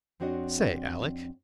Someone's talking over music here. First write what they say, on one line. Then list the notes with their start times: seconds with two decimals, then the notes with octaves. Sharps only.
"Say, Alec."
0.20 F2 C4 D4 F#4 C#5 D#5